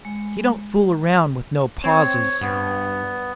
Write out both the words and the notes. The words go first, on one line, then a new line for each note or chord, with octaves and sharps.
He don't fool around with no pauses.
G#3
C4 C#5
G2 B3